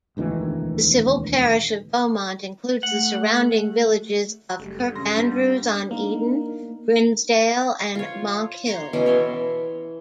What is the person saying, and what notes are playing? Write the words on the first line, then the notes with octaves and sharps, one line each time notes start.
The civil parish of Beaumont includes the surrounding villages of Kirkandrews-on-Eden, Grinsdale and Monkhill.
E1 D2 D#3 E3
A3 F#5
F#1 G3 A3
G2
C#3 C6 A#6
G2 G3 B3
A#3 D4 D#4 A#4
F4 C#5
C#5 A#5 C6
B2 E3 C#4 C#5
C#5 E5 C6